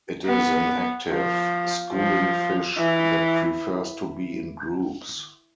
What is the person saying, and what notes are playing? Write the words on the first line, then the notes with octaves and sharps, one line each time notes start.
It is an active, schooling fish that prefers to be in groups.
B3
F3
F3
E3